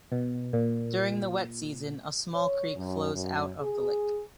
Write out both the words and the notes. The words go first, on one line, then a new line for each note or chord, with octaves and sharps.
During the wet season a small creek flows out of the lake.
B2
A#2
C#5
F#2
F#2
G#4